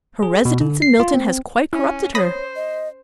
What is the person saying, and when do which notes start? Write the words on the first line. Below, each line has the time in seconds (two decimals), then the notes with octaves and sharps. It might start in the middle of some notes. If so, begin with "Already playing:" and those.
Her residence in Milton has quite corrupted her.
0.23 G#4
0.45 B2
0.61 D3
0.82 C7
1.00 F4
1.14 C4
1.73 C#4 E4
2.15 C5 C#5 B5 D#6 A#6
2.56 D#5